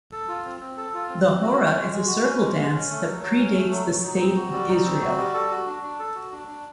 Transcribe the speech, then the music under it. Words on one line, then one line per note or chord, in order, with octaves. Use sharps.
The Horah is a circle dance that predates the State of Israel.
A4
F4
C4
C4
A4
F4
C4
C4
F#4
C#4
G#3
G#3
F#4
C#4
G#3
G#3
C#4
A3
F#3
F#3
C#4
A3
F#3
F#3
D#4
C4
F#4
G3
D#4
C4
F#4
G3
A4
F#4
D4
D4
A4
F#4
D4
D4